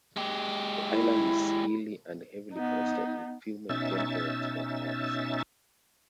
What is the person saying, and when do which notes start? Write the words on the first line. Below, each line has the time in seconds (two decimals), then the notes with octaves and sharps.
The island is hilly and heavily forested, with few maintained roads or paths.
0.17 G#3 G4
0.91 E4
2.53 B3 D#4
3.69 B2 C#4 D#4 E5 E6 A6